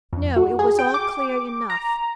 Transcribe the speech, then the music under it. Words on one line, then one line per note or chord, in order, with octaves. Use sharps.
No, it was all clear enough.
F2
F#4
G#4
G5
D6
A#5